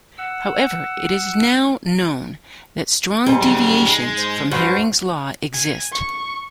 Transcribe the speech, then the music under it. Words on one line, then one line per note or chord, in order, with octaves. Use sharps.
However it is now known that strong deviations from Hering's law exist.
F#5 E6
G#2 G3
C#3 F#3
G#3
C5
G2 F#4 C5
G#5
C#6